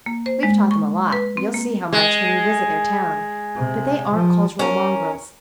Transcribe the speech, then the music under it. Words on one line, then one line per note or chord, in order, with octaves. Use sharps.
We've taught them a lot--you'll see how much when you visit their town--but they aren't cultural mongrels.
A#3
C5
G#3
C#6
B4
C4
A#3
G#3
C3
F3
C#4 A#4